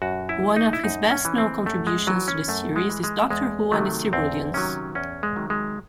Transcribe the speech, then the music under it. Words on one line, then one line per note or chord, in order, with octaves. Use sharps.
One of his best-known contributions to the series is "Doctor Who and the Silurians".
F#2 F#4
E4
E3
D#4
E4
F#2 D#4
C#4
E3
C4
F#2 A3
G#3
E3 F#3
C#4
F#2 A3
G#3
E3
G#3
E2 G#3
C3 D#3 F#3 A3
E2 C4
C3 D#3 F#3 C#4
E2 C#4
G#3
C3 D#3 F#3
G#3